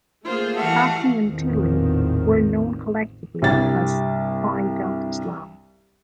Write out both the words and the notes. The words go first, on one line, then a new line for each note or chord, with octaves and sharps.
Sassi and Tilly were known collectively as Phi Delta Slam.
A3 A#3 F4 G#4 C5
E3 G3 A3 F#4 F5
A1 E2 A#2 D#3 F3 C4
C2 G2 A6